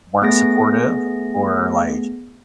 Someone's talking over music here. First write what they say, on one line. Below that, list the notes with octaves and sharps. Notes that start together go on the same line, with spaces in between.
weren't supportive, or like,
A3 B3 G#4 A#6